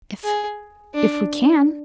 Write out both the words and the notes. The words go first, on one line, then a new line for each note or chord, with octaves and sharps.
"If--if we can."
G#4
D4